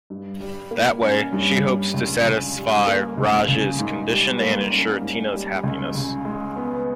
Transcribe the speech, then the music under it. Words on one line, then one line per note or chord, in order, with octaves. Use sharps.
That way, she hopes to satisfy Raj's condition and ensure Tina's happiness.
G2
G3
A#3
C#4
G2
G3
C#2
C#3
G3
A#3
C#2
C#3
G#2
G3
A#3
C#4
G#2
G3
C#2
C#3
G#3
B3